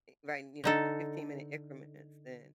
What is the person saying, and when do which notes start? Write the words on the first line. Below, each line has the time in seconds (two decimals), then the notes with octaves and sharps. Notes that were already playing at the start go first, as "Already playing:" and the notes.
eh, right, and you know, uh, fifteen-minute increments, then
0.64 D3 D#4 A4